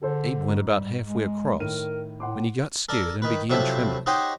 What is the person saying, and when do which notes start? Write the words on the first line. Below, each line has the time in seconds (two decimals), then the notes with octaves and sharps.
Abe went about half way across, when he got scared and began trembling.
0.02 D3 G#4 A4 C5
0.49 G#2
0.71 G3
1.04 G#3
1.60 A2 D#3 A#4 D#7
2.20 A2 F#5 C6 D6
2.89 A4 A#4 D5
3.22 D#3 B4
3.50 C3 F3 F#3 A3 E4
4.06 D#4 F#4 G4 C5 C#5 D#5